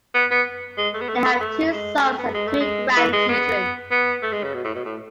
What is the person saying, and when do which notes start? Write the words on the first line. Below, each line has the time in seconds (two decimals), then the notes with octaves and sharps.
They have two sons and two grandchildren.
0.14 B3
0.31 B3
0.78 G#3
0.94 A3
1.01 B3
1.09 A3
1.16 B3
1.25 A3
1.32 B3
1.40 A3
1.71 G#3
2.03 A3
2.18 B3
2.34 G#3
2.47 A3
2.60 G#3
2.97 E3
3.13 G#3
3.29 B3
3.91 B3
4.22 A3
4.33 G#3
4.43 C#3
4.54 B2
4.64 A2
4.75 B2
4.85 A2